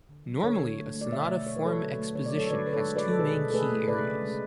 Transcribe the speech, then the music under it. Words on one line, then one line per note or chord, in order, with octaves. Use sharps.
Normally, a sonata form exposition has two main key areas.
D3
F#3
D3 A4 C#5
D3
A3
A3
D5
B2 C#5 E5
A3
B2 C#5
B4
F#3 A4 C#5
D3
A3
D3 C#5
D5
F#3 A4 C#5
C#5
D3 B4 D5
D3 B4
A4 C#5
G#3
B4 D5
G#3
A4
B2 G#4 B4
B2
A4
A3 G#4 B4
A3
C#3 B4 D5
C#3
G#3